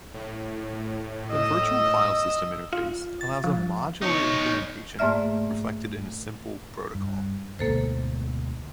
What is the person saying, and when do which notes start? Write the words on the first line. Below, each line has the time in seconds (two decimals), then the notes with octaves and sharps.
The Virtual File System interface allows a modular implementation, reflected in a simple protocol.
0.14 A2
1.32 D#5 E6
2.73 F4
3.21 A6
3.44 F3
4.02 D#4 C#5
4.99 G#2 A3 A#3 D5 E5 F6
6.95 G2
7.59 D2 G#2 B2 A#3 A4 C5